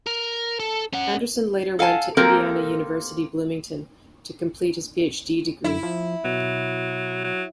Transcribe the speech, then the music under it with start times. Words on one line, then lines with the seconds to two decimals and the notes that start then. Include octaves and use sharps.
Andersson later went to Indiana University Bloomington to complete his Ph.D. degree.
0.07 A#4
0.60 A4
0.93 C#4 F#5
1.79 A4 F5 F#5 G#5 A5
2.17 A#3 C4 G4 A4 A#4
5.64 F#2 E4
5.83 F3
6.25 B2 F#3
7.24 F#3